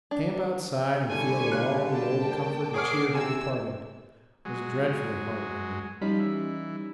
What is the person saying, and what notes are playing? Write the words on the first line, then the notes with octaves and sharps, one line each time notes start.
To camp outside and feel that all the old comfort and cheer had departed, was dreadfully heartrending.
D4
D3 G3 E4 A4 G#5 C#6
F5 F#6
G5 A5
A#3
G#4 C#5 F#5 D6 F6 C7
C3 G#5 E6
F#3 G#3
F3 G3 C#4 D#4 B5
E3